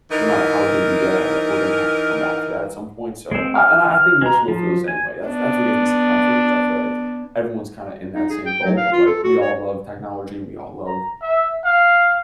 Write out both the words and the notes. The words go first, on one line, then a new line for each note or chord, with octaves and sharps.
no matter how good we get at it, we're gonna have to come back to that at some point, so, I I a and I think most people feel the same way, that's that's what gives me some comfort is I feel like everyone's kinda in that same boat of, like, we all love technology, we all love,
E3 D#4 A#4
G#3 C4
F6
F6
G#3 A#5
F3
G#5
B3 D4
D#4
G#4
G5
F#3
F5
F4
A4
F#4
C#5
A#5
E5
F5